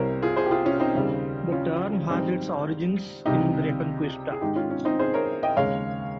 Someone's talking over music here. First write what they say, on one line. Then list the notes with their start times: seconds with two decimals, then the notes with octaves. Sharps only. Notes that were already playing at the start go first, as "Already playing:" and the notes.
The term has its origins in the "reconquista".
Already playing: C2 C3 G3 A#4 C5 C#5
0.22 F4 G#4
0.36 G#4 C5
0.46 G4
0.51 F4 G#4
0.65 C#4 F4
0.80 C4 D#4
0.95 D#2 C#3 G3
1.52 C#4 F4
2.10 G#2 D#3 G3 C4 D#4
3.26 C#2 C3 G3 D#4 G4
4.32 G#4
4.41 G#2 D#3 G#3 D#4 G4
4.55 C#4 F4
4.70 C#4
4.85 C4 D#4
4.99 G#4 C5
5.14 A#4 C#5
5.43 D#5 G5
5.57 D#2 C#3 G#3 C#5 F5